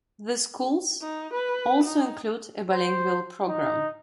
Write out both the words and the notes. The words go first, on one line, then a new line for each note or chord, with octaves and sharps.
The schools also include a bilingual program.
D#4
B4
D#4
C5
D#4